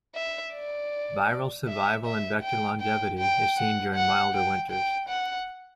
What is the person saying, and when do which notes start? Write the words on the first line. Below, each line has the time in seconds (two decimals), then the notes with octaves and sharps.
Viral survival and vector longevity is seen during milder winters.
0.15 E5
0.53 D5
1.67 E5
2.05 E5
2.43 G5
2.81 G5
3.19 G5
3.57 F#5
3.94 F#5
4.33 G5
4.70 G5
5.08 F#5